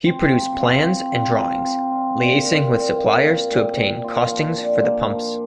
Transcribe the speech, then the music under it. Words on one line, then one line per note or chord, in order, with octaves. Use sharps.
He produced plans and drawings, liaising with suppliers to obtain costings for the pumps.
C4
F3
F4
C4
F4
F3
C4
F4
A#2
A#2
A#2
F4
A#3
A#2
A#2
F4
F3
D4
A#3
F3